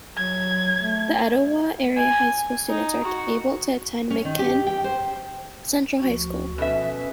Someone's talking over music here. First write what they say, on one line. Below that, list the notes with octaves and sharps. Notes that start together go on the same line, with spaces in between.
The Etowah area high school students are able to attend McMinn Central High School.
F#3 G#6
A3
G#5
D#4
F#4
C#4
D#3
G4
G5
C5
D2 F3 F#4
B2 C#4 A4 B4 E5